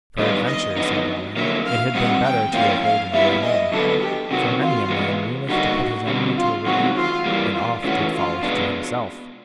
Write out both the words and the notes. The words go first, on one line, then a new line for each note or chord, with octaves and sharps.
Peradventure, said Balin, it had been better to have holden you at home, for many a man weeneth to put his enemy to a rebuke, and oft it falleth to himself.
D#3 G3 B3 D4 F4 D#5
D#5
F2 D3 F#3 B3 D#4 D#5
F2 D3 F#3 A#3 E5
F5
G2 D#3 G3 C4 D#4 F#5
G5
A2 F3 A#3 C#4 F4 F5
F5
A#2 G3 B3 E4 E5
D#5
F#2 D3 F#3 B3 A4
G4
C3 D#3 F#3 B3 F#4
F4
E2 B2 G#3 B3
D3 G3 A#3 D#4 F#4
D3 G3 C4
F4
F#2 D#3 G#3 C4 F#4
F4
E3 G3 A#3
F4
C#3 E3 A3 C#4 F#4
F4
B2 G#3 B3 D4